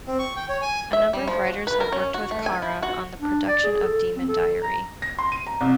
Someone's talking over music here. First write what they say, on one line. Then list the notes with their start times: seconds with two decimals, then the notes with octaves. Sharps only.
A number of writers have worked with Kara on the production of "Demon Diary".
0.07 C4
0.19 C#6
0.36 G5
0.49 C#5
0.61 G#5
0.93 E5
1.13 G3
1.28 F3
1.47 F#4
1.67 B4
1.80 A#4
1.92 C#4
2.14 F#4
2.31 A3
2.46 G#5
2.62 E4
2.83 F#4
3.22 D4
3.48 D5
3.64 G#4
3.82 A4
4.16 C4
4.28 A4
4.63 A#5
5.02 A#6
5.19 C6
5.32 D#7
5.47 A#5
5.61 C2